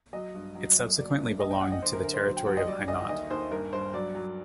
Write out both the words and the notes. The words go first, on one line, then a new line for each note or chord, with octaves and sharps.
It subsequently belonged to the territory of Hainaut.
F#3 D#5
G2
F#3
F#2
F#3 D5
G2
F#2 D#5
G5
F#2 F#5
D#5
D3 C5
A#4
D3 A#4
C5
F#3
G5
F#3 F#5
D#5
G3 D5
D2 D#5
D#2 D#5
D#2 C5
G2 A#4
G2 C5
F#3 D5
F#3